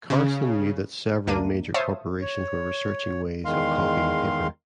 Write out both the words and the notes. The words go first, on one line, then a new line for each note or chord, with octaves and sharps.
Carlson knew that several major corporations were researching ways of copying paper.
C#3
D2 A#3 D4 D#7
C5 C#5 E5 F5 A5 D#6
C#5
E2 D#3 G#3 F5 C6